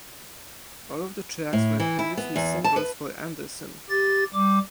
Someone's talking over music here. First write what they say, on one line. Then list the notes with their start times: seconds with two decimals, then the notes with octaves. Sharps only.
All of the tracks were previously singles for Anderson.
1.53 A2
1.80 E3
1.99 E4
2.17 B3
2.36 E2
2.64 A5
2.76 B4
3.90 G4 A6
4.34 G3 D6